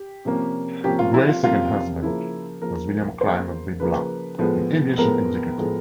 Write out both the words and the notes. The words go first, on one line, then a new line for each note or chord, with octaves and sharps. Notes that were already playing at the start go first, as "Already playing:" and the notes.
Gray's second husband was William Clymer Bidlack, an aviation executive.
Already playing: G4
C3 F3 A#3 C#4
C3 F3 A#3 C#4 G4
F4
E4
F4
C3 F3 A#3 C#4 F4
C#3 F3 A#3 E4
C#3 F3 A#3 A#4
C#3 F3 A#3 C5
C#3 F3 A#3 B4
A2 F3 G#3 B3
A2 F3 G#3 B3 A#4
A2 F3 G#3 B3